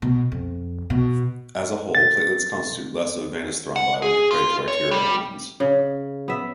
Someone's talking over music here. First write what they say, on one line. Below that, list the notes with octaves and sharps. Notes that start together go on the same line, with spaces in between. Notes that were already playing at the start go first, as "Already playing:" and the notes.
As a whole, platelets constitute less of venous thrombi when compared to arterial ones.
B2
F2
B2
A6
F#5
G#4
F4
C#5
G3
C#3
B3 E5